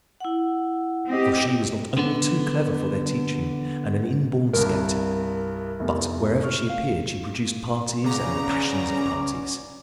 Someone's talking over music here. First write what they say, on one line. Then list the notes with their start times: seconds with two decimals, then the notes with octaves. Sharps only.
For she was not only too clever for their teaching, and an inborn sceptic, but wherever she appeared she produced parties and the passions of parties.
0.20 E4 F#5
1.08 C4 G4 D#5
1.98 D3 B3
4.53 C2 G2 A#4
5.80 F1 E2
6.42 C#6 F6
6.70 F5
8.04 C#3 B3 C#4 D5 A#5 D6